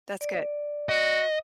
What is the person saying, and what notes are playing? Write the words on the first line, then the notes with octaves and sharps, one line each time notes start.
That's good.
D5
F#4 D#5